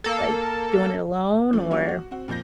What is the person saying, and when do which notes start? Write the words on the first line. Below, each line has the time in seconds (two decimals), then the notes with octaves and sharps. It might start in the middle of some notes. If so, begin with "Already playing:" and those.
like, doing it alone? Or
0.04 A#3 A4
1.53 F#2 F3 A3
1.71 F#3 G3 A#3 C#4 D4 F4
1.88 F#4
2.11 C4 F#4
2.28 F2 A#2 F3 G6 A#6